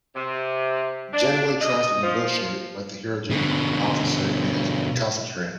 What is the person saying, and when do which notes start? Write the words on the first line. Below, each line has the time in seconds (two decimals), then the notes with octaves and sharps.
Janeway tries to negotiate but the Hirogen officer is recalcitrant.
0.16 C3
1.13 D4
1.61 D#5
2.03 F3
3.30 B2 D3